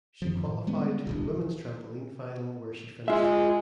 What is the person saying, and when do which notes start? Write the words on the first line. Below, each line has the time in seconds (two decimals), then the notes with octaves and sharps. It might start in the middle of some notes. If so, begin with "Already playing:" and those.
She qualified to the women’s trampoline final where she finished fifth.
0.22 F#2 D#3 F3
0.45 A2
0.67 G3 G#3 B3 C#4
1.07 D1 C2 G2
3.08 G#3 F4 E5